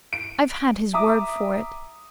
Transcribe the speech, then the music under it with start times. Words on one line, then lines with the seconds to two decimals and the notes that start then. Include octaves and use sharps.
I've had his word for it.
0.13 D7
0.93 E5 A#5 D6 D#6